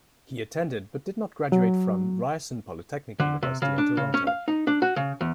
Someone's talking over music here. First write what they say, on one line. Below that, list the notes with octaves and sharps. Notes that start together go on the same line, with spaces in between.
He attended, but did not graduate from Ryerson Polytechnic University in Toronto.
F#3
D3
C3
C#3
D4
C#3
C#4
F5
D#4
D4
F#4
C#3
E2